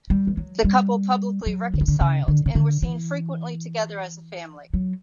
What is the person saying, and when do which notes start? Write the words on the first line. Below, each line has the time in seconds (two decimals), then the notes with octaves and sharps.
The couple publicly reconciled and were seen frequently together as a family.
0.10 G3
0.27 E3
0.37 F#3
0.64 G3
1.46 F#3
1.74 D3
1.81 E3
1.88 D3
2.01 C#3
2.28 D3
2.46 C#3
2.55 D3
2.82 E3
4.74 F#3